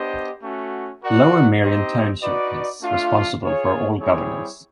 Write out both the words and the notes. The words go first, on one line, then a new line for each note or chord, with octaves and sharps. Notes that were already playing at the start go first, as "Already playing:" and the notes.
Lower Merion Township is responsible for all governance.
Already playing: B3 D4 G4 C5 D#5
A3 C#4 F#4
F#4 A#4 D5 F#5
C4 D#4 G4 C5 D#5
D#4 F#4 B4 D5
A3 D4 F4
F4 G#4 C#5
G3 C4 E4 G#4 C#5